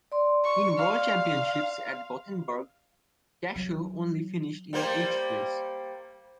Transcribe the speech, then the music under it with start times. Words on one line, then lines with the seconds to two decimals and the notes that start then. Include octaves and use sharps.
In World Championships at Gothenburg, Cacho only finished in eighth place.
0.12 D5 C6
0.44 C#6
0.78 F5
3.56 F#3
4.73 G3 A#3 C5